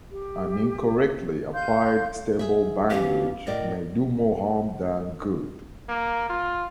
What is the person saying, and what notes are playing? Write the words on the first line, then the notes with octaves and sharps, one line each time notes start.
An incorrectly applied stable bandage may do more harm than good.
G4
F5 C6 G6
G#4 E5
E2 C#4 G4 F5
A2 A#4 D5 D#5
A#3
F4